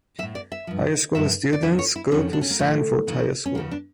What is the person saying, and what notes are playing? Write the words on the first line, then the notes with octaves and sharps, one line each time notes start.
High school students go to Sanford High School.
F3 E5
A2
D5
E5
G2 F3
G2 D3 F3 E5
D5
E2 D3 F3 E5
C#5
E4
F2 D3 F3 C#4
D4
C#4
A#3
A2 F3 A3
D2 C#3 E3
C#4
E2 C#3 F3 A#3
D4